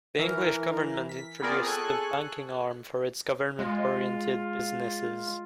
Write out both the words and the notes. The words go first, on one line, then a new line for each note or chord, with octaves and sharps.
The English government introduced the banking arm for its government-oriented businesses.
E3 A#4
B6
B3 C4 F4 G#4 A#4 D5
G#4 A4 G#5 C#6 F#6
G#3 F4